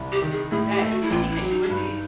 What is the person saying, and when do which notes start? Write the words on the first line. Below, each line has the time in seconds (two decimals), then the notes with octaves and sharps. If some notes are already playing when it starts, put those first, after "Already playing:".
Okay, you would think that you would be.
Already playing: C2
0.12 G4
0.22 D#3
0.32 G#4
0.52 A2 G#4
0.72 G4
0.82 A3
0.91 F#4
1.01 E4
1.10 A1 F4
1.30 E4
1.40 F#3
1.50 D#4
1.63 D4
1.70 G2
1.76 D#4